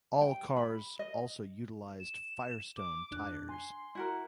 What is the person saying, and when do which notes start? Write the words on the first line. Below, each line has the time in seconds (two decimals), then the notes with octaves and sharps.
All cars also utilized Firestone tires.
0.21 G5
0.56 B5
0.99 D#5
2.00 E7
2.77 D6
3.11 F2 D4 F#6
3.49 G#5 C6
3.95 E4 F#4 A#4